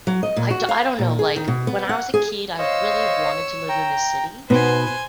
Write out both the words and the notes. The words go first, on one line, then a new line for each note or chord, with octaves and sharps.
I do I don't know, like, when I was a kid, I really wanted to live in the city.
F#3
D#5
A#2
F#4
F5
A#2
G#4
D#3
B2
B3
F#5
G#4
C5 C#5 D#5 F5 E6
G5 A#5
B2 B3 D#4 B4 C5 G#5